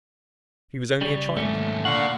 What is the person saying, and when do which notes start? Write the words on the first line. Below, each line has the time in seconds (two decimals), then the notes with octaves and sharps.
She was only a child.
1.01 C#3 G3
1.37 D#2 G#2 A3 C#4
1.85 A#2 D3 F5 F#5 C#6